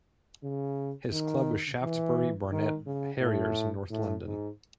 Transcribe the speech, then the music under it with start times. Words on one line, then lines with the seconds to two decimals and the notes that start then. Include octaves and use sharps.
His club is Shaftesbury Barnet Harriers in North London.
0.43 C#3
1.12 D#3
1.82 E3
2.52 D#3
2.86 C#3
3.21 A2
3.90 A2
4.24 G#2